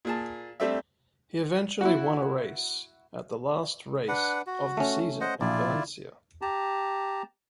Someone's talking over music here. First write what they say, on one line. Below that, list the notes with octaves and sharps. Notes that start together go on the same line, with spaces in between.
He eventually won a race at the last race of the season in Valencia.
A#2 G#4 A5
G3 A3 C4 D4 E5
E4 F#4
D4 B4 F#5
F#4
A3 C#4
C5 D#5 F#5
A#1 E4 F4 D5
G4 A5 A#5